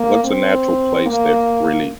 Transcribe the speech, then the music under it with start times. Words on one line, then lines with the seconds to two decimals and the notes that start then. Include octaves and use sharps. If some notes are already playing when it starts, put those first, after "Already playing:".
What's a natural place that really
Already playing: A#3
0.24 C4
1.06 A#3